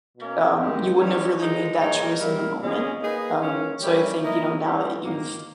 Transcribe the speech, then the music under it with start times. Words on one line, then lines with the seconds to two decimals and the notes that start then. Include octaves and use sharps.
um, you wouldn't have really made that choice in the moment. Um, so I think you know now that you've,
0.17 B2 A#3 C#4
0.58 G2 D#3 G#3 D#4 G4
0.98 E3 G3 C#4 G#4 C#5
1.38 D#3 G#3 D#4
1.78 A#2 G#3 D#4 A#4 C#5
2.18 G3 A#3 E4 A#4
2.60 A#2 G#3 C#4 G#4
2.99 A#3 D#4 G#4 B4 D#5
3.40 E3 A#3 C#4
3.80 G3 C#4 E4 G4 A#4
4.20 A#3 E4 A#4 D#5
4.61 E3 G3 C#4 G4
5.01 G#2 D#3 A#3